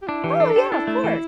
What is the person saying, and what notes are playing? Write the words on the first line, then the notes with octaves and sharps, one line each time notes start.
Oh, yeah, of course.
G4
D4 E4
E3 G4
D4 A4
G4 A4
D4 E4
A3
E3